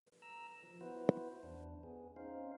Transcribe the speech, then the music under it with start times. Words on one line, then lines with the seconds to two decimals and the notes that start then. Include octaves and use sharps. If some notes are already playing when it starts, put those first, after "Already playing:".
Sometimes several towns united to hold one in common.
0.22 A#5 E6
0.63 F3
0.81 B3 E4 F#4 B4 C5
1.43 E2 D4
1.83 B3 G#4
2.16 C4 C#4 D#4 C5 F5